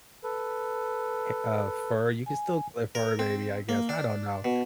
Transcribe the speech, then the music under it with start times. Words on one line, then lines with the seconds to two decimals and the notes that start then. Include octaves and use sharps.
ha uh, fur, you can still a fur baby, I guess, I don't know,
0.24 A4 B4
2.26 G#5
2.95 A#4
3.19 C4
3.69 A#3
3.89 D4
4.44 B2